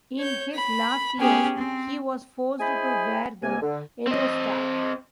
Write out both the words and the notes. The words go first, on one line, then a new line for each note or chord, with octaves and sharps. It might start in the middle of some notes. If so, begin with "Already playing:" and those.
In his last years he was forced to wear the yellow star.
C#5 G6
B5
B3 C#4 G4 G#4
C4
E4 G#4 C5 D#5 G#5 B5
C#2 C3 A#3 G#5
D3
C4 D#5